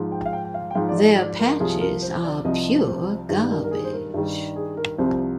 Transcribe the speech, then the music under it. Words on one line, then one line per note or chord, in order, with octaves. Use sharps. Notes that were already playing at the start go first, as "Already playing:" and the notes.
Their patches are pure garbage.
Already playing: G#2 F3
G5
F5
G5
G5
F5
G5
G#2 F3 F5
D5
D#5
D5
A#4
C2 C3 F3 G#4
A#4
C5
D5
C2 C3 F3 D#5
C5
G2 D#3 G3
A#4
A#4
G#4
C5
A#4
G2 D#3 G3
G#4
A#4
C2 C3 F3 C5